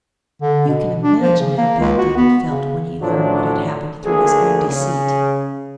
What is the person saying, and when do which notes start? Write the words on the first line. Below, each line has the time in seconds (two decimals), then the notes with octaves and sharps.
You can imagine how bad David felt when he learned what had happened through his own deceit.
0.42 D3
0.68 B2
1.03 D4
1.21 F3
1.39 C#3
1.57 A#3
1.80 C#2
1.98 F#4
2.17 B3
2.50 C#3
3.01 A1 A2 F3 F#3 D4
4.05 D2 A#3 G#4
4.67 C#3